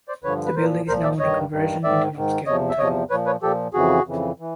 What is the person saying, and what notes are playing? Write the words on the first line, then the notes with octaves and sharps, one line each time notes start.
The building is now under conversion into an upscale hotel.
C5 D5
G2 D3 F3 B4 C#5
B4
A#2 F3 A#4 C5
A#2 F3 A#4 C5
D5 E5
G2 D#3 C#5 D#5
G2 D#3
G#2 D#3 D5 E5
G#2 D#3
E2 C3 F3 C#5 D#5
E5
E2 C3 F3 C#5 D#5
A#2 F3 B4 C#5
B4 C#5
A#2 F3 G4 A4
F2 C#3 E3 F#4 G#4
F2 C#3 E3
E3